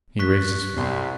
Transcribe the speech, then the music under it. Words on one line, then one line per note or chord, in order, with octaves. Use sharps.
He raised his finger.
C#6 F#6 B6
C2 F#2 B2 G3 C6